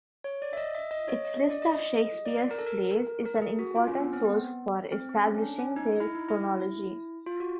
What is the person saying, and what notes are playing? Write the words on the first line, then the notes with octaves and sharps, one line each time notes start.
Its list of Shakespeare's plays is an important source for establishing their chronology.
C#5
D5
E5
D#5
E5
D#5
C#5
D#5
D#5
D5
D#5
D#5
D#5
D5
A#4
A4
A#4
A#4
G#4
F#4
F4
C#4
B3
C4
B3
C4
C4
C#4
D4
C#4
D#4
E4
D#4
E4
F4
F#4